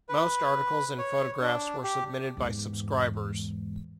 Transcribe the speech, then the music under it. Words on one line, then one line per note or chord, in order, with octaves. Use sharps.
Most articles and photographs were submitted by subscribers.
B4
C#5
D4
G4
E2 G#2